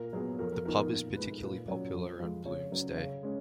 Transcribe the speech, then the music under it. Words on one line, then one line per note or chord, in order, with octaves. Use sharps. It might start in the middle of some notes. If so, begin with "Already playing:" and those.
The pub is particularly popular on Bloomsday.
Already playing: A#2 A#4
F#3 B3 G#4
F2 A#4
A#4
F3 B3 D#4 A#4
A#4
A#2 A#4
G#3 D#4 B4
A#2 B4
F#3 C#4
F2
F3 G#3
C#3 C#5
F#3 C#4
C#3
G#3 C#4